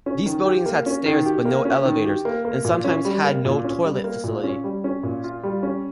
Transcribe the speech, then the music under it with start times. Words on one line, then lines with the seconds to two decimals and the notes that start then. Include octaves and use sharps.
These buildings had stairs but no elevators, and sometimes had no toilet facility.
0.06 C#4
0.26 D#3
0.45 G4
0.66 A#3
0.86 C#4
1.06 D#3
1.26 G4
1.45 A#3
1.65 C#4
1.85 D#3
2.05 G4
2.25 A#3
2.45 A#3
2.64 A#2
2.84 C#4
3.05 G3
3.24 A#3
3.45 A#2
3.64 C#4
3.84 G3
4.04 A#3
4.24 A#2
4.44 C#4
4.64 G3
4.84 C#4
5.03 A#2
5.24 F4
5.43 G3
5.63 C#4